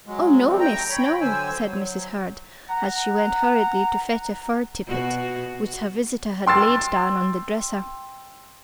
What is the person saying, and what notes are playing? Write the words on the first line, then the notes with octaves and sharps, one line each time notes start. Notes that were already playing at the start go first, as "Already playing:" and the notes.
"Oh! no, miss, no," said Mrs. Hurd as she went hurriedly to fetch a fur tippet which her visitor had laid down on the dresser.
F#3 G#3
F3 G3 A3 C4
G5 A#5
C#5 G5 B5
D3 F#3 C5 G#5 E6
F#3
F#5 A#5
B2 F#4
G5 C6 E6 A6